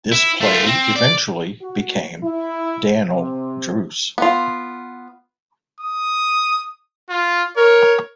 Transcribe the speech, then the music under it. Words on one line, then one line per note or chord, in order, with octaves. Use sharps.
This play eventually became "Dan'l Druce".
E4
A3 F4
C4
D5
F#4
E4
C3
B3 F4
D#6
F4
A#4 C#5